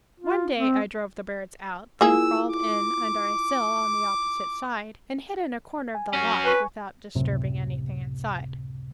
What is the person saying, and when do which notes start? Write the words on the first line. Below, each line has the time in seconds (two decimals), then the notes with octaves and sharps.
One day I drove the birds out, then crawled in under a sill on the opposite side, and hid in a corner of the loft without disturbing anything inside.
0.20 F4
0.55 C4
2.01 A#3 E4 F4 G#4 G#5 E6
2.50 D6
5.95 G#5
6.13 C#4 F#4
6.45 B4 G#5 C#6
7.15 C#2 F#2 A2 C3